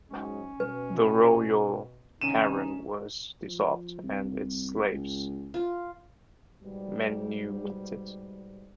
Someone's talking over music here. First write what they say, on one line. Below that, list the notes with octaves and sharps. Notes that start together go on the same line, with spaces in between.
The royal harem was dissolved and its slaves manumitted.
G#2 F#3 G#3 C#4
B2 B4
C3 D#3 C#4 D#4 D#7 E7
F3
C2
C#2
F4
G#2 B2 G3